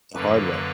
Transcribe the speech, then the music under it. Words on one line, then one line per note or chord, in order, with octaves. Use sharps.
The hard way
F#2 D3 F#3 A#3 B4